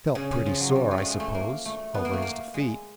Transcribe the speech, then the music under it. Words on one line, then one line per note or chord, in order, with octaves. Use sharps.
"Felt pretty sore, I suppose, over his defeat."
C#3
C#3
F3
F#3
G3
F3
A3
G#3
A3
A#3
A3
B3
A#3
A3
A#3
G#3